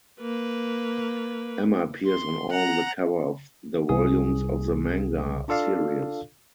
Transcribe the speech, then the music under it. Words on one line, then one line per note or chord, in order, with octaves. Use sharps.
Emma appears on all the cover of the volumes of the manga series.
A#3 B4
C6
F#5 A#5
C2 G#4 D#6
D4 F4 A4 D5 F5